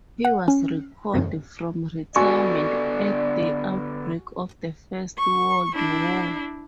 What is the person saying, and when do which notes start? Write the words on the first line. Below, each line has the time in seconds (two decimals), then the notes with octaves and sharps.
He was recalled from retirement at the outbreak of the First World War.
0.25 F#5
0.48 C#4
2.16 D3 B3 F#4 A4 D5 G#5 C#6
5.18 C#6
5.75 D4 E4